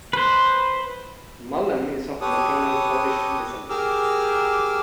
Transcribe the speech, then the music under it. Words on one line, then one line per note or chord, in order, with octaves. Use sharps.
Mullen is of maternal Polish descent.
B4 C5
G4 A4 B4 C#5 D#6
G4 G#4 A#4 D6 E6 F6